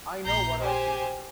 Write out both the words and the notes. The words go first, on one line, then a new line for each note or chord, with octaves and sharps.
I know what I hear.
A#1 A#5 G6 C7
G4 C5 G#5